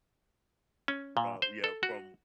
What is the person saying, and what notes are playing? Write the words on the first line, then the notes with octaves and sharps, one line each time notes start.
from yeah, from
C#4
A#2
C5
A4
F#4